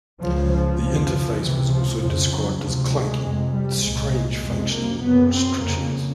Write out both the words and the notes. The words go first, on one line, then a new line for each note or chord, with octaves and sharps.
The interface was also described as "clunky", with "strange functional restrictions".
C#2 C#3 F3
F3
F2 C#3
C#2 C3 E3
F3
F2 C#3 F3
F#3
D2 C3 F3
G#3
F2 C3 G#3
G3
C2 A#2 G#3
F2 C3 G#3
A#3
F#2 C#3 B3
C4
F2 C#3 A#3